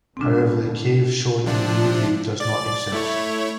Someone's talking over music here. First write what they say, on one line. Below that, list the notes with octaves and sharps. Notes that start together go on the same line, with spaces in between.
However, the cave shown in the movie does not exist.
G#2 B2 D3 C4 D4
C3 F3 D4
D5 A6
A3 E4 C#5